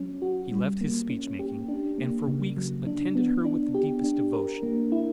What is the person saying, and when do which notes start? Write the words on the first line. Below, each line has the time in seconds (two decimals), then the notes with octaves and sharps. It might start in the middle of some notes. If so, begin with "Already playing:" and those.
He left his speech-making, and for weeks attended her with the deepest devotion.
Already playing: F#3 C#4
0.22 F#4
0.52 G3
0.81 A#3
1.10 C#4
1.39 G4
1.68 D4
1.98 A#3
2.28 C#3
2.57 F#3
2.87 D4
3.15 B3
3.45 D4
3.74 G4
4.04 D4
4.33 A#4
4.63 A#3
4.92 E4